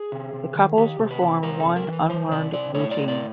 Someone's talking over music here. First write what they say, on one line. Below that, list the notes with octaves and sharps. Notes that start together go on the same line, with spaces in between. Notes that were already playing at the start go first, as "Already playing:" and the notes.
The couples performed one unlearned routine.
Already playing: G#4
C3
C3
D#3
D#3 G4
C3
B4
C3
C3 A#4
A4
C3
A#4
E3
B4
E3 C5
C3 D5
C3 D5
A2 C#5
D5
A2
D5